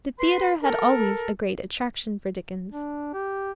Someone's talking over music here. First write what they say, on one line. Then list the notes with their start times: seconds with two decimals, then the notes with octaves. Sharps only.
The theater had always a great attraction for Dickens.
0.19 B4 B5 C6
0.62 A4 A#4
2.71 D4
3.13 G4